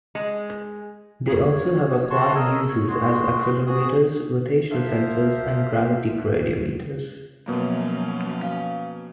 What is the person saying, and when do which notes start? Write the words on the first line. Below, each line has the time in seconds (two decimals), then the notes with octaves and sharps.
They also have applied uses as accelerometers, rotation sensors, and gravity gradiometers.
0.15 G#3
1.29 C#5
2.10 F#4 A5 C6 C#6
2.35 A4 A#4 C#5 D#5
2.70 C#5 C#6
2.88 G#3 F#4 C6
3.67 F#4 G#4 D#6
4.71 F3 F4 A#4 C5 E5
7.47 F#2 B2 F3 A#3 C#4
8.42 F5